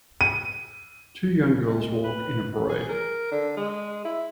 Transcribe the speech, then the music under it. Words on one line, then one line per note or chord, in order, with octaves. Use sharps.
Two young girls walk in a parade.
D#7
G#3
B4
G#4
A#4
D3
G#3
E4